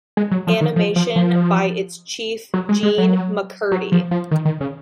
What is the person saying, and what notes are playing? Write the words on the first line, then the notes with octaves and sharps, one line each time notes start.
Animation by its chief Jean MacCurdy.
G#3
F#3
F3
D#3
F3
F3
F3
F#3
G#3
G#3
F#3
F#3
F3
F3
D#3
D#3
C#3